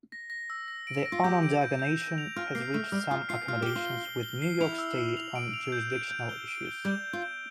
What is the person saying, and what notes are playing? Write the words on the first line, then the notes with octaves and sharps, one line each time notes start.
The Onondaga Nation has reached some accommodations with New York State on jurisdictional issues.
A#6
A#6
E6
A#6
D7
A#6
F4
G4 G6
D7
G6
G6
G6
F7
F4 F6
A#3 C7
A3 F6
G3 F6
F4 F6
F4 C7
F4 F6
G4 G7
F4
G7
G7
G7
C7
E4 F7
E6
E6
F7
D7
F7
G6
D7
G6
G7
D7
G7
G3 G6
G6
F4
G6